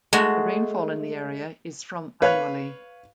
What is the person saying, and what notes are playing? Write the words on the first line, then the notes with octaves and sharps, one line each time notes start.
The rainfall in the area is from annually.
G#3 A3 F#4
B4 C#5 F5